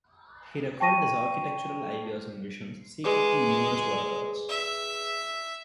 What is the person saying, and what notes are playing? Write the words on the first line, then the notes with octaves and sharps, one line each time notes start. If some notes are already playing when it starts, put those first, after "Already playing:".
He recorded his architectural ideas and visions secretly in numerous watercolors.
G5 A5 C#6 A#6 D#7
G#3 G#4 B4 D6
E5